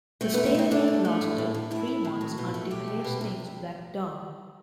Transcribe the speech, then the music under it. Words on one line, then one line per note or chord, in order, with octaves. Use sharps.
The stalemate lasted three months until Hastings backed down.
A3 C4
B3
F#2
B3
A3 C4
F#2 D4
F#2
A3
A2
A2
A2
A2 E4
A2
A2
F#3
B2
A3
A3 G4
B2
B2
C3